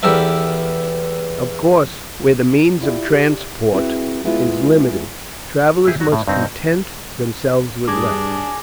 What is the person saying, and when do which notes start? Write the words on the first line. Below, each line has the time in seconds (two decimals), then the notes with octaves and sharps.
Of course where the means of transport is limited, travellers must content themselves with less.
0.03 E2 E3 G4 A4 A#4 E5
2.81 E4 F4 G4 D5 E5
3.08 G4 D5
3.73 C4 E4 F#4 G#4 B4
4.24 G#3 B3 E4 F4 G#4
5.87 E4 G4 G#4
6.00 F#3 F#4
6.12 A2
6.28 G2 C4 D#4
7.88 G2 D4 G#4 D6 A#6